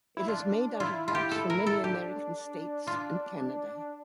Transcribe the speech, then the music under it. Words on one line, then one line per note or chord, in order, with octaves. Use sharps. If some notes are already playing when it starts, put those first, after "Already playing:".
It is made out of rocks from many American states and Canada.
E4
D4 F4
E4 F4
F4
G4
A4
A#4
A4
D4 G4
D4 F4